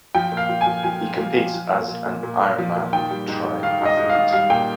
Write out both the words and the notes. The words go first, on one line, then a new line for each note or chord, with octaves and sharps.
He competes as an Ironman triathlete.
F3 G5
A#2
F5
F3
G#5
F3
F3 G#5
F3
F3
F3
F3
A#2
A#2
A#2
A#2
A#2
F3
A#2
D#3 G5
G3
G#2
G#2
D#3 F5
G#2
D#5
G#2
F5
D#3
G3 F5
A#2 G5